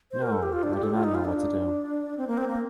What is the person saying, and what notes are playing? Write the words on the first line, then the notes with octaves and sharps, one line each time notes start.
No, I did not know what to do.
C5
A#4
A4
G4
F4
D4
G4
A4
F4
D#4
F4
D4
C4
A#3
C4
A#3